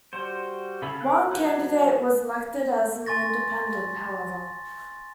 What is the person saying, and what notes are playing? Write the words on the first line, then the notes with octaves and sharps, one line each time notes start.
One candidate was elected as an independent however.
G3 F#4 C5
C#3 A4 F5 B5
A#4 F#6
F#3 B4 F#5 F#6
G#5 C6 C#6 A6 A#6